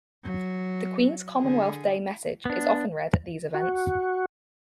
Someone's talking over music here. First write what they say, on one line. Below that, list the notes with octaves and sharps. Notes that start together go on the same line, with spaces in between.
The Queen's Commonwealth Day message is often read at these events.
F#3
D3 G#4
B3 D4
F#4